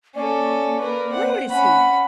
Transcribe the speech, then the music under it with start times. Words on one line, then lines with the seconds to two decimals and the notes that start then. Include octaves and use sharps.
Where is he?
0.16 A#3 C#4 A4 D5
0.81 A#4 B4
1.11 C4 F#5
1.50 C#4 F#5 B5